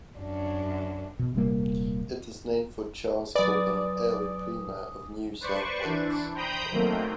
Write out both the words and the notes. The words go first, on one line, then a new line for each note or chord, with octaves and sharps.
It is named for Charles Cowper, an early Premier of New South Wales.
F#2 D4
B2
D#1 C3 G3 A#3
F#3 B4 D5 G#5 D6 D#6
B4 C5 D5 C#6
E3 D4
C5 G5 A#5 B5 D#6 G6
D#3 F#3 A3 A#3 C4